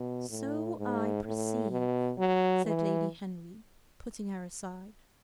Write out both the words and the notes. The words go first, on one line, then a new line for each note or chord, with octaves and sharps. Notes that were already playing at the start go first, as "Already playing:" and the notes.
"So I perceive," said Lady Henry, putting her aside.
Already playing: B2
A2
G#2
A2
B2
F#3
E3